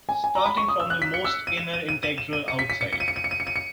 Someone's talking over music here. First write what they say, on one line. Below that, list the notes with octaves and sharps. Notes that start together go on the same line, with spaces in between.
Starting from the most inner integral outside.
G#5
G#5
A#5
B5
C#6
D#6
E6
F#6
B6
C#7
E6
D#7
E7
D#7
D#7
D#7
E7
D#7
C#7
B6
B6
C#7
C#7
D#7
C#7
D#7
C#7
D#7
C#7
D#7
C#7